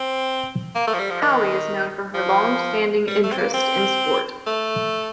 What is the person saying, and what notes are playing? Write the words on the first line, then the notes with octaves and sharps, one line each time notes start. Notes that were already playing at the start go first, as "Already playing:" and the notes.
Hoey is known for her longstanding interest in sport.
Already playing: C4
A#3
A3
F3
G3
F3
D#3
F3
G3
A3
C4
A#3
C4
A3